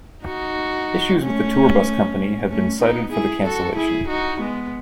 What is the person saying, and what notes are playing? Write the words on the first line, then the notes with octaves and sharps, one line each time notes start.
Issues with the tour bus company have been cited for the cancellation.
D#4 F#4
A3 C#4
A3 C#4
B3 D#4
E4 G#4
F#4 A4
E4 G#4
D#4 F#4
G#3 B3